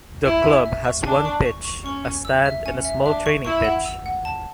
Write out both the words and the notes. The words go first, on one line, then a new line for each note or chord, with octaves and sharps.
The club has one pitch, a stand and a small training pitch.
E4 E5
G#5
E5
C#6
D4 G#5
C#6
C#6
C#6
C#4 C#6
G#5
E6
E5
C#4 G#5
E5
D4 E5
C#6
E4 C#6
F#5
E6
F#5
A5